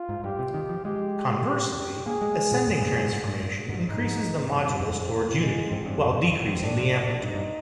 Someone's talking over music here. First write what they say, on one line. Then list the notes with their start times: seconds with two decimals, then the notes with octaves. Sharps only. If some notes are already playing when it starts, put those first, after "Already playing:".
Conversely, ascending transformation increases the modulus towards unity, while decreasing the amplitude.
Already playing: F4
0.09 G#2
0.24 G2 G4
0.39 C3
0.54 D#3
0.69 F3
0.84 G#3 G4
1.46 G4
2.06 A#3 G#4
2.21 G#3
2.36 G#3
2.52 A#2
2.67 F2 G#4
2.82 G2
2.97 G2
3.08 A#2
3.12 G#2
3.28 G2
3.43 G2
3.69 G#2
3.74 G2
3.89 G#2 D#4
4.04 G#2
4.49 G2 C4
4.64 G2
4.80 F2
5.11 A#3
5.41 G#3
5.71 G#2 C4
5.85 G2
5.99 F2
6.13 G2
6.32 F2
6.47 G2
6.62 G#2 D4
6.78 A#2
6.93 A#2
7.08 A#2
7.23 G2 D#4
7.34 G2